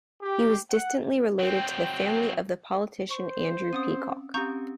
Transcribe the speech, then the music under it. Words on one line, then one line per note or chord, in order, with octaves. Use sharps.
He was distantly related to the family of the politician Andrew Peacock.
G4
F#5
F#3 C4 G5
C5 C#6
C4 C#4 D#6 D#7
C4 C#4 G4 A#5 C#6 G6